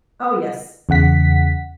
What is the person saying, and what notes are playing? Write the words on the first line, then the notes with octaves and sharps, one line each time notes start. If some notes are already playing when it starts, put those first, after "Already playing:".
Oh yes.
E2 C#3 F#5 B6